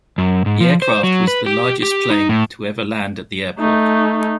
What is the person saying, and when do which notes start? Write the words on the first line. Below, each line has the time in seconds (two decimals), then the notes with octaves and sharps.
The aircraft was the largest plane to ever land at the airport.
0.18 F#2
0.46 G#2
0.60 F3
0.82 C5
1.04 F#3
1.27 B4
1.46 G4
1.83 G4
2.10 D#4
2.29 A2
3.59 A3 D#4